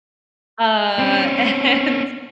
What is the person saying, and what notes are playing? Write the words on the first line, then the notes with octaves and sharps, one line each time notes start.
Uh, and
C4 C#4